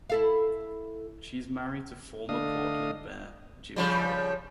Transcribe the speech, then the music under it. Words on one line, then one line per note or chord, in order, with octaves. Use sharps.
She is married to former Portland Mayor Jim Cohen.
E4 A4 F5
D3 A3 D4 D#5 F5 D#6
C#3 F3 G3